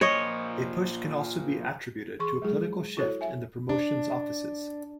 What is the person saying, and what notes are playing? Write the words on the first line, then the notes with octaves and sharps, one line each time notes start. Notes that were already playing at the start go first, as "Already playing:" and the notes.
A push can also be attributed to a political shift in the promotion's offices.
A#2 F3 C#5 D#5
E3 G#4 C6 C#6
F#3 G#3 E4 G#4
E4 F#4 A4 C#5
E5 G#5
D4